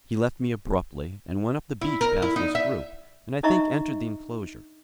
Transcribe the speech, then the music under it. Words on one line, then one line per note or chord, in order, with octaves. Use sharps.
He left me abruptly, and went up the beach past this group, and I think entered the enclosure.
E4
A#4
E4
D#4
E5
D4 D#4 D#5 E5 A#5 C#6